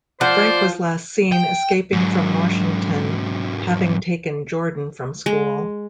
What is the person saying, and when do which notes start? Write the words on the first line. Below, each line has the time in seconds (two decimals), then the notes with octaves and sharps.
Frank was last seen escaping from Washington, having taken Jordan from school.
0.21 F3 C5 D5 F#5
1.32 G5
1.93 G#2 F#3
5.26 G#3